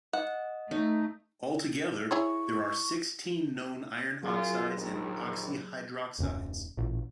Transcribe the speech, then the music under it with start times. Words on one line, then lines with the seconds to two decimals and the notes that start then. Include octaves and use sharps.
All together, there are sixteen known iron oxides and oxyhydroxides.
0.13 D#5 F#5
0.71 A3 D#4
2.11 E4 G#4 C#5 C#6
4.23 F#2 F#3 F4 G#4
4.75 A#1 D#2
6.19 D#1 F#2 C3 C#4
6.77 A1 A#2